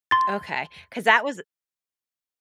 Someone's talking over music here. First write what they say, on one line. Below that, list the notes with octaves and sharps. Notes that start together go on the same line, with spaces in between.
Okay, 'cause that was
C6 A6